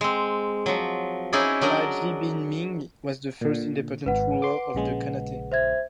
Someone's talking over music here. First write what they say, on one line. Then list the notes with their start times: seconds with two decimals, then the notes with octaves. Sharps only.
Hajji Bi Ming was the first independent ruler of the khanate.
0.01 G#3 C4
0.66 F3 F#3
1.33 C#4 D#4 E4 G#4 D5
1.61 F#3 D4 A#4 D#5
3.41 A#2 D3
4.06 G#1 B4 F#5
4.42 C6 D6
4.75 A#1 C#3 G#3
5.52 C5 E5 G#6